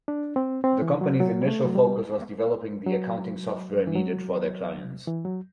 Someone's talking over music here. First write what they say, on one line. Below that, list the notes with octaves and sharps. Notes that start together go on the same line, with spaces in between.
The company's initial focus was developing the accounting software needed for their clients.
D4
C4
C4
E3
F#3
F#3
G3
A3
F#3
G3
F#3
E3
F#3
E3
F#3